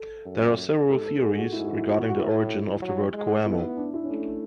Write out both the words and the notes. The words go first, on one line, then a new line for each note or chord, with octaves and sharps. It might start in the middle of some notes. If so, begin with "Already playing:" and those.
There are several theories regarding the origin of the word "Coamo".
Already playing: A4
F#2
G#2 A4
A4
G#2 G#4
F#4
G#2 E4
F#4
E4
F#4
E4
F#4
A2 E4
F#3
G#3
B3 E4
E4
D4
E4
C#4
A3 D4